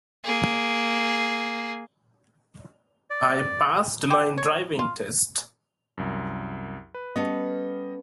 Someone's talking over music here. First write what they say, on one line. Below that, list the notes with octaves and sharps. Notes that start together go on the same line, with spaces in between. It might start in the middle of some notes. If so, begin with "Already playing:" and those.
I passed my driving test!.
A#3 G#4
D5
G4
C#5
F4
C2 F#2
B4
G3 B3 C#4 A4 D#5